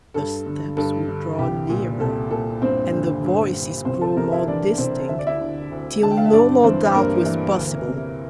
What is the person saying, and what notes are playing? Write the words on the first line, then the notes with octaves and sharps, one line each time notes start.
The steps would draw nearer, and the voices grow more distinct, till no more doubt was possible.
G2 A4
D3
G2 A4
D3
C2 G4
A#2
C2 A4
A#2 A4
G2 C4 C5
D3
G2
D3
C2 C4 C5
A4 A5
C3 A#4 A#5
E4 E5
E3 D4 D5
C2 C4 C5
D2 E5
D5
E4 E5
D3
D2
D3 A5
G5
F5
E5
G2 D4 D5
E3 C4 C5
G2 A#3 A#4
E3
D2
C3